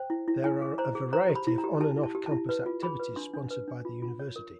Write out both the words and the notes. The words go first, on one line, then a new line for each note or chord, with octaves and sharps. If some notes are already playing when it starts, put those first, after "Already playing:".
There are a variety of on- and off-campus activities sponsored by the university.
Already playing: C5 G5
E4
E4
E4 G#5
G#4
C5 A#5
G#4
C5 A#5
G4
B5
E4
A#5
G4
G4 A5
E4
A5
G4
E4 A5
B4
F4
G#4 B5
B4
D4 C6
D4
B4
D4
F4
F4
C#5
A#4